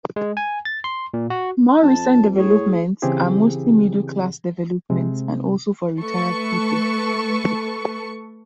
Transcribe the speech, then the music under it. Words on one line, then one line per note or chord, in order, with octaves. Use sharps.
More recent developments are mostly middle-class developments, and also for retired people.
G#3
G#5
A6
C6
A#2
F#4
F2 A5
A2 G#4 C#5
C#3 E3 C4 E4 G4 G#4
C3 G#3 C4
A3 A4 B4 C#6